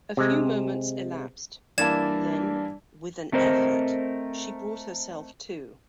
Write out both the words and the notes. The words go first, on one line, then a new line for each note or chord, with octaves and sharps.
A few moments elapsed; then, with an effort, she brought herself to.
C3 G#3
G2 E3 A#3 E4 D5 A5 G#6 E7
A3 C4 A#4 C5 D#5